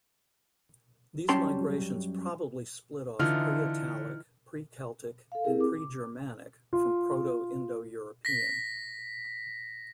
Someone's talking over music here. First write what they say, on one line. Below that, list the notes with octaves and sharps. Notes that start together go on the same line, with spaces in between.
These migrations probably split off Pre-Italic, Pre-Celtic and Pre-Germanic from Proto-Indo-European.
F#2 G3 C#4 G4 A5 C6
D3 E3 D#4 F4 F6
A4 F5
C4 E4 G4 G#4 A#4
D6
F4
A#6 B6